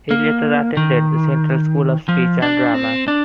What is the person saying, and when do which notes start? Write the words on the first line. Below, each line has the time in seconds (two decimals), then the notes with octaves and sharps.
He later attended the Central School of Speech and Drama.
0.11 A#3
0.77 D#3
2.09 F3
2.42 D4
2.74 C4
3.08 D4